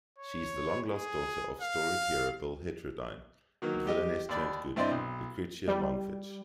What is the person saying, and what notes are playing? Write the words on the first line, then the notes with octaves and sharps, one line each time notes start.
She's the long-lost daughter of storied hero Bill Heterodyne and villainess-turned-good Lucrezia Mongfish.
C#5
G#4
F5
D#3 F#3 A#3
G3 G4 D#5
D#2 D5 B5
G2 C4 E4 D5 D#5 C6
B1
G3